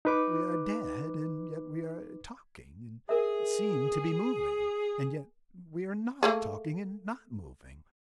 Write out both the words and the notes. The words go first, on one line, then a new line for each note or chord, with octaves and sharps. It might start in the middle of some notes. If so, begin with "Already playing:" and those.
We are dead and yet we are talking and seem to be moving--and yet we are not talking and not moving.
D#4 B4 D6
G#4 A#4 E5
A3 A#3 G#4